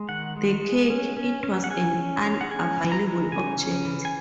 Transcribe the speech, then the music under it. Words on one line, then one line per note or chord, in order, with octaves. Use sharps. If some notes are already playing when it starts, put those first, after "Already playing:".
The cake, it was an available object.
Already playing: G#3
D#3 F#5
G#3
G#3
C#4
C#4
C#4
F#5
C#4 G#5
C#4
C#4
F#5
C#4 G#5
E3
A#5
G#3
C#3 G#5
C#4
E3
G#5